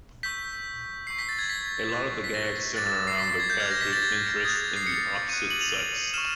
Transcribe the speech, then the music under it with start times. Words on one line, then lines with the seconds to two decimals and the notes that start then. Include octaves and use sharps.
A lot of the gags center around the character's interest in the opposite sex.
0.23 C#6 E6 G6 B6
1.07 C#6 E6 G6 C7
1.19 B6
1.29 A6
1.39 G#6
1.50 B6
1.92 C#6 F#6
2.24 B6
2.34 A#6
2.76 D6 F#6 A6
2.86 A6
3.07 C7
3.18 B6
3.29 C7
3.40 G#6
3.50 G6
3.60 F6 G#6
3.64 D6
3.71 A#6
3.81 B6
3.93 A6
4.02 G#6
4.45 D#6 F#6 G#6
4.56 A6
4.76 C7
4.87 C#7
5.29 D6 F#6 D#7
5.51 F#7
5.61 F7
6.13 C#6 F6 E7